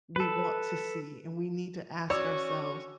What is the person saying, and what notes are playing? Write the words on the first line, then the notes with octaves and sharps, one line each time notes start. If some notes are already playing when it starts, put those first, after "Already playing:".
we want to see and we need to ask ourselves,
A4 B4
C#4 F#4 C#5 D5 C#6 E6